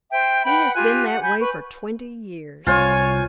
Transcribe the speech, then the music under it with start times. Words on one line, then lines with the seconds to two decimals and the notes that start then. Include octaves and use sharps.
He has been that way for twenty years.
0.11 C5 E5 G5
0.45 B4 F#5 G5 B5
0.74 F4 G4 G#5 F#6
1.05 F#5
1.22 G#5 B5 G6 G#6
1.40 B4 C#6
2.67 C2 F4 C5 C#5 G#5